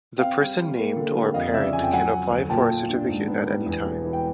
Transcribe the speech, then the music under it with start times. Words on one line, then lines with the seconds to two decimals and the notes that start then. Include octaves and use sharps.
The person named or a parent can apply for a certificate at any time.
0.18 C4 F5 G5
0.38 G3
0.58 G3
0.77 A#3
0.96 D3
1.15 G3
1.34 F2 D#5 F5
1.53 C#3 D5 E5
1.73 F2 G#5
1.83 G5
1.93 F#3 F#5 G#5
2.12 F#3
2.31 D2
2.50 A#2 G5 A5
2.70 A#2
2.89 D4
3.08 G#2
3.27 B3
3.47 G3
3.66 E2
3.86 E1
4.04 E3
4.13 G5